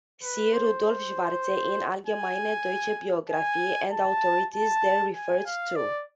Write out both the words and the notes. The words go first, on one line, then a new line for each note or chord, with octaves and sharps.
See Rudolf Schwarze in "Allgemeine Deutsche Biographie" and authorities there referred to.
B4
C5
G#5
G#5
A5
A5
G#5
F5
D5